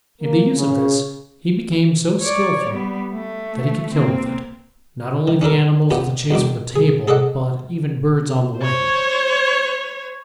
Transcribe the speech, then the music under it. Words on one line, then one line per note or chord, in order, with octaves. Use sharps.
In the use of this he became so skilful, that he could kill with it not only the animals of the chase for the table, but even birds on the wing.
A#3
C#3
C#5 D5
G3 B3
A3
A#3 C4
D#3
C#4 D4 A4 A#4
A#2 D#3 B3 G4
E2 B2 D#3 D6
G#4
G#4 A4 D5 D#5 F#5
C5 C#5